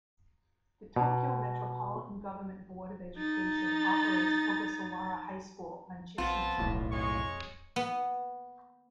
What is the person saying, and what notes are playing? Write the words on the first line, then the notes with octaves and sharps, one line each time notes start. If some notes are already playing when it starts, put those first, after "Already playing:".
The Tokyo Metropolitan Government Board of Education operates Ogasawara High School on Chichi-jima.
B2
D#4 A6
A#1 B3 C4 F4 A5
D1 B1 A2
F2 G#3 C#5 C#6
B3